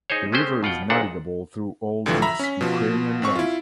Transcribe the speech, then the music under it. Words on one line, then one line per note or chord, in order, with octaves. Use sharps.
The river is navigable through all its Ukrainian length.
D#4 G#4 C5 C#5
G#3 A3 C4 C#4 G4 C5
B2 F4 F#5 G5
G#1 A#2 D4 D#4 A4 F#5
C2 A2 D3 E3 F3
E5 A#5 B5
C#4 B6
B2 F3
G#1 C4 C#6
E4 F4